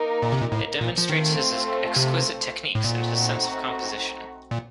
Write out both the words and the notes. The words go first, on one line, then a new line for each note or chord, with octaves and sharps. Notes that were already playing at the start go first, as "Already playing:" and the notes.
It demonstrates his exquisite techniques, and his sense of composition.
Already playing: A#3 D#4 A#4
A#2
C3
A#2
A2
A#2
F3
D#3 A3 C4 F4 A4 C5
C3
A2
A#2 A3 C4 D#4 F#4
A#2